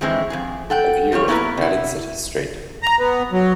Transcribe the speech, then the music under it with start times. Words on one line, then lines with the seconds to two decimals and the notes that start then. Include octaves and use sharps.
A view of a crowded city street.
0.01 D#3 E3 G#3 C4 E4
0.30 F2 F3 G#4
0.70 A4 F#5 G5
1.12 G#2 F3 G3 C#5
1.28 A#3 B3 E4 G4 A#4 B4
1.57 C3 E4
2.83 A#5
2.99 B3
3.32 F#3